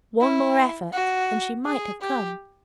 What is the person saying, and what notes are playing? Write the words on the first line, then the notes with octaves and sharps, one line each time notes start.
One more effort, and she might have come.
E4
F#4
G#4
G4